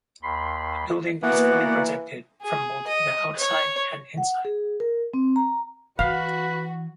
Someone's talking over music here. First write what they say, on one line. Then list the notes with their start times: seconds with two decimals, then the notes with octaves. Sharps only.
The building is fully protected from both the outside and inside.
0.23 D#2 B5 C6
1.23 E3 A#3 B3 F#4 D5 F#5
2.42 G#4
2.87 D#5
3.39 C#5
4.18 F#5
4.45 G#4
4.80 A#4
5.14 C4
5.36 A#5
5.99 E3 F#4 B4 F5